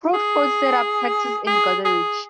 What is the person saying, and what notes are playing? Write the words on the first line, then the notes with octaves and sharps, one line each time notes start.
Proudfoot set up practice in Goderich.
G#4
G#4
G#4